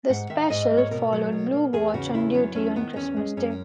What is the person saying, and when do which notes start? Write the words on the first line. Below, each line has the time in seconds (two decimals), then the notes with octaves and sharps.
The special followed Blue Watch on duty on Christmas Day.
0.09 G#2 F#5
0.30 D#3 E5
0.50 G#2 D#5
0.71 A#3
0.77 C#5
0.91 B2 A#4
1.12 F#3
1.32 B2
1.53 A#3
1.73 E2 G#4
1.94 C#3 F#4
2.14 E2 E4
2.34 F#3 B3
2.55 E2 C#4
2.76 D#3 B3
2.96 E2 C#4
3.17 G#3
3.37 F#2 C#4